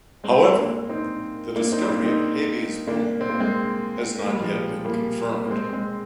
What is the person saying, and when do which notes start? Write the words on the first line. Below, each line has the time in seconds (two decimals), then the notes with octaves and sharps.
However, the discovery of Hebe's moon has not been confirmed.
0.24 G#3 C4
0.57 A#3 D4
0.89 C4 D#4
1.56 A#3 D4
1.72 C4 D#4
1.83 D#4
1.88 A#3 D4
2.05 C4 D#4
2.88 A#3 D4
3.21 C4
3.30 A#3
3.40 G#3 C4
4.19 A#3
4.26 G#3
4.33 G3
4.41 F3 G#3
4.85 G3 A#3
5.44 A#3
5.50 G#3 C4
5.73 G#3 C4